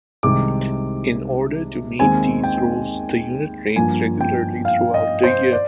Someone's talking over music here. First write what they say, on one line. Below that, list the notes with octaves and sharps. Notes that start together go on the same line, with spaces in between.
In order to meet these roles the Unit trains regularly throughout the year.
C2 C3 D#3 G#3 D6
D#2 D#3 G#3 C4 G#5
G5
G2 F3 A#3 G#5
G5
F5
D#5
C5
D5